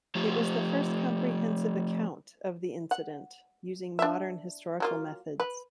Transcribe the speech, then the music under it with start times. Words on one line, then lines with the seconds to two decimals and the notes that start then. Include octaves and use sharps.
It was the first comprehensive account of the incident using modern historical methods.
0.15 F3 A3 G4 C5
2.91 F#5
3.99 D4 E5
4.80 F#3 A#3 F4
5.40 B4